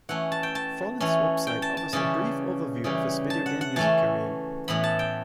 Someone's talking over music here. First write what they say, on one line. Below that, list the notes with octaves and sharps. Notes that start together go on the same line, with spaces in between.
Follin's website offers a brief overview of his video game music career.
E3 A3 C#4 F#5
A5
G5
A5
E3 A3 C#4
G5
A5
A5
C#3 E3 G3 C#4 A5
C#3 E3 G3 C#4
A5
F#5
F#5
E3 A3 C#4 A5
A2 E3 B3 B5
A5
G5